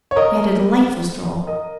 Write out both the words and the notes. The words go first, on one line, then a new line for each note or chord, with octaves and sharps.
We had a delightful stroll.
C#5
A#4 D#5
A#4 D#5